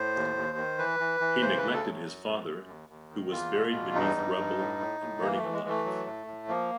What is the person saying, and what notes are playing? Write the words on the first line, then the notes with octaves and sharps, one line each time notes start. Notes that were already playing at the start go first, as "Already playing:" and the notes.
He neglected his father, who was buried beneath rubble and burning alive.
Already playing: A2 C5
D#2
D#2
D#3
E3 B4
E3
E3
C#3 C5
B4
D2
A4
F#3
F#2
F#2
F#2
D#2
D#2
D#3
E2 F4
B2
E2
G2 D#4
G2
G2
A2
A2
A2
E3 A#3
A3
E3
G#3
E3
A3
F#3
A2
A2
F3 A#3